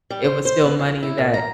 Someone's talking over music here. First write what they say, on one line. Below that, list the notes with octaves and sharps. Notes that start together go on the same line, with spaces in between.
it was still money that
G3
C5
C5
B3
F2
E4
A#2
A#5